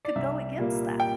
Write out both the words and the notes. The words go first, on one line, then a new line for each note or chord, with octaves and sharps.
could go against that?
D5
C2 E5
A#2 G3 A#3
G5